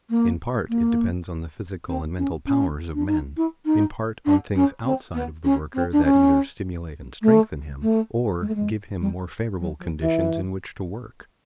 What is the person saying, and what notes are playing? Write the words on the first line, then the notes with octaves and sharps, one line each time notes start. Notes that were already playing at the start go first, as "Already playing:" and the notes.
In part it depends on the physical and mental powers of men; in part on things outside of the worker that either stimulate and strengthen him, or give him more favorable conditions in which to work.
A#3
A#3
C4
C#4
C#4
D4
D#4
E4
D#4
D4
C#4
C4
B3
C#4
C4
D4
C#4
A3
A3
G#3
A3
G#3
G3
F#3
F3
E3